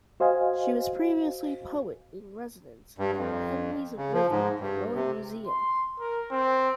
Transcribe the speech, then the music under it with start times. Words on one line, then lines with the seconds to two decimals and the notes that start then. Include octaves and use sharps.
She was previously poet in residence at Henley's River and Rowing museum.
0.20 F#4 C5 D#5 F5 G#5
2.98 G2
3.17 F2
3.97 C#3
4.13 F3
4.29 G#2
4.60 G2
4.94 C3
5.47 C6
6.00 A#4
6.31 C4